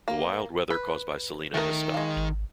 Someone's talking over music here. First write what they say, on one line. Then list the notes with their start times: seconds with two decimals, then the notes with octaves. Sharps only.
The wild weather caused by Selena has stopped.
0.08 A#3
0.70 B4
1.54 D#3 A3 A#4
1.94 G#3 F5
2.16 G#1